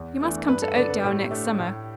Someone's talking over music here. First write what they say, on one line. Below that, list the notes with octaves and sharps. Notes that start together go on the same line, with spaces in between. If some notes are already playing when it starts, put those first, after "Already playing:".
You must come to Oakdale next summer.
Already playing: E2
E3 A3 D4
G2 B4
A4
D3 B3 D5
B4
A2 G4
A3 D4
A2